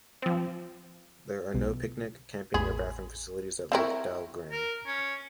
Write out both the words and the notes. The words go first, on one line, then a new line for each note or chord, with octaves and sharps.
There are no picnic, camping or bathroom facilities at Lake Dahlgren.
F3 C4
B1 B2
A1 E2 G#4 B5
C4 E4 A#4 E5 G5 C#6
A#4
C#4